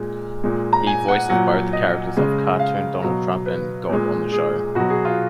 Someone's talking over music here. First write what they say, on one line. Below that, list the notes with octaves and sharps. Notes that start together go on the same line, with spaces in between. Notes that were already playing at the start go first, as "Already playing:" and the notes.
He voices both the characters of "Cartoon Donald Trump" and "God" on the show.
Already playing: A#2 G#3
A#2 G#3
A#5
G#5
F#5
A#2 F#3 F#5
D#5
C#3 G#3
F5
B2 F#3
B4
A#2 G#3
G#4
B2 F#3 F#4
G#4
F4